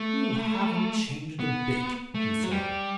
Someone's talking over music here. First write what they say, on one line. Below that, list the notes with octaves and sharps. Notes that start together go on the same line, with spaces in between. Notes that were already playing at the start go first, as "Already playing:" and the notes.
"You haven't changed a bit," he said.
Already playing: A3
B3
A3
F#3
G3